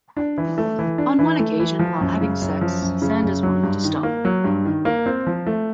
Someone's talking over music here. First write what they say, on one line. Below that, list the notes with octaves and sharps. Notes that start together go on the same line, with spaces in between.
On one occasion, while having sex, Sanders wanted to stop.
D4
E3
A3
E3
D4
E3
A3
E3
F3
F#2
C#3
F#2
F3
F#2
C#3
F#2
F#3
G2
D#3
A#3
F#3
G2
D#3
A#3
C4
F3
A3